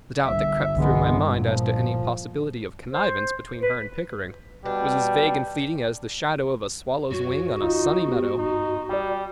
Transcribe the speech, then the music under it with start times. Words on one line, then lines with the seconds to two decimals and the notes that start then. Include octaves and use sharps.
The doubt that crept through my mind as to any possibility of connivance between her and Pickering was as vague and fleeting as the shadow of a swallow’s wing on a sunny meadow.
0.23 G1 C2 G2 E5
0.76 B1 D3 E3 G#3 B3
1.39 A#2 F3
2.92 C5
3.62 B4
4.65 B2 G3 D4
7.11 F#2 F#4 C#5
7.61 D2 D#4 F4
8.08 B3 G4
8.38 G2 D#4
8.89 G3 D5 G5